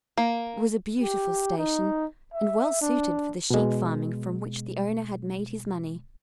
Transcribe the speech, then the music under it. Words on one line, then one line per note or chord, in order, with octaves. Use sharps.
It was a beautiful station and well suited for the sheep farming from which the owner had made his money.
A#3
G4
D#4
E5
D4
B2 G#3